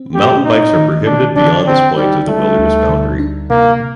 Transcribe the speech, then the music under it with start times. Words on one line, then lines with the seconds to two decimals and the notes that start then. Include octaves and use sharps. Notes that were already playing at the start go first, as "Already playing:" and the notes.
Mountain bikes are prohibited beyond this point of the wilderness boundary.
Already playing: C4
0.14 A3 G4
0.45 A3 D#4
0.76 D#3
1.06 D3 D4
1.36 D3 D4
1.67 D3 C4
1.97 G3 D#4
2.28 G3 A3
2.59 D2
2.89 D3
3.19 D4
3.50 C3 A#3
3.80 C3